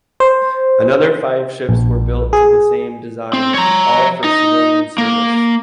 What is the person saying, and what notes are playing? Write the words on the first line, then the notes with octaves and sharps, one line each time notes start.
Another five ships were built to the same design, all for civilian service.
C5
A#1
G#4
C4
C#5 A#5
D#4
A#3